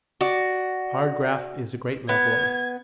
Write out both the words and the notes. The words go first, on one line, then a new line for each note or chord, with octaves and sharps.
Hard graft is a great leveller.
F#4 D5
B3 G#6